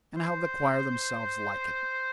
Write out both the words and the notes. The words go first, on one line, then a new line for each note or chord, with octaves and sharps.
And how the choir themselves like it!
C5